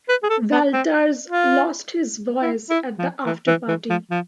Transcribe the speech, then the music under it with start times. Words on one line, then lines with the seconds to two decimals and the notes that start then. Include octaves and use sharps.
Valters lost his voice at the after-party.
0.09 B4
0.23 G#4
0.30 A4
0.52 B3
0.73 C4
1.29 F4
2.42 E4
2.70 E4
2.99 F3
3.26 E3
3.47 E3
3.68 E3
3.90 F3
4.11 F3